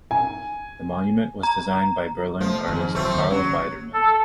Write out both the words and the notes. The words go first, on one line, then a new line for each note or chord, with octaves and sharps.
The monument was designed by Berlin artist Karl Biedermann.
G#5
A#5
F3 A3
G#1 F2 G#2
D1 E3 F#3 A3 C4
D#2
G#1 C#3 F#3 C#4
A4